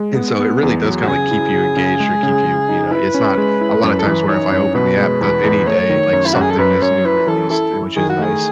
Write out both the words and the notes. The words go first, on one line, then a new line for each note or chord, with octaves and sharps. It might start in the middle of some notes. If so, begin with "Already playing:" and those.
And so it really does kinda, like, keep you engaged or keep you you know, it's not a lot of times where if I open the app da any day, like, something is new released, which is nice.
Already playing: G#3
B3
B3
E2
F#3
F#4
C#3 G#4
E4
C#3
C#3
G#3
C#3
C#3
D#4
E4 B4
C#4
G#3
E4
F#2 C#5
B4
A4
E3 B4
D#4 C#5
F#2
B2 B4
G#3
E2 B4
E2
A3 C#5
D#3
F#2
E4
F#2 F#4
G#4
A4
F#2 B4
F#2 C#5
E4 B4
E3 A4
E4 A4
E4
D#3 G#4
F#4
A3 G#4